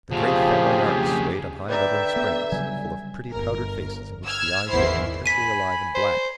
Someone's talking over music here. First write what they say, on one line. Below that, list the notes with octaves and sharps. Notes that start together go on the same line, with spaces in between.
The great family arks swayed on high leathern springs, full of pretty powdered faces in which the eyes looked intensely alive and black.
F2 C#3 F3 G4 G#4
D3 B4 D5 E5 G5 A#5
B3
C#3 F#3 G3 G#5
G1 A#4
E6 F6 G#6
G#1 E2 D#3 E4 C5 C7
G#5 B5 B6 D#7
C5